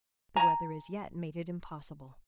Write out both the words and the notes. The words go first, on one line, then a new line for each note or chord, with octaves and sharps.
The weather as yet made it impossible.
G#5 A#5